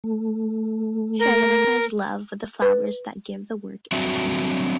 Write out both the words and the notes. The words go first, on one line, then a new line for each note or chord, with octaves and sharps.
She identifies love with the flowers that give the work its title.
A3
A#4
B4
F#3 G3 C4 D4 F#4 E5